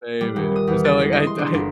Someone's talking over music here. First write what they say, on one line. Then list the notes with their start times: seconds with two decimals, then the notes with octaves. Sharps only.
Maybe. And so like, I d I
0.21 G3
0.36 D#1
0.56 D#6
0.67 E2
0.85 A6
1.01 G#3
1.13 D#5
1.27 C6
1.39 D4
1.54 G1